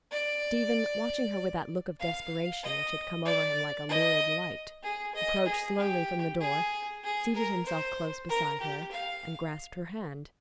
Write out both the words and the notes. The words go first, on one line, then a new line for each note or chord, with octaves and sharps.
Stephen, watching her with that look of desperation which had come over him like a lurid light, approached slowly from the door, seated himself close beside her, and grasped her hand.
D5
F5
D#5
D5
D#5
G#4
D#5
G#4
G4
G#4
G#4
A#4
C5
A#4
G4
F5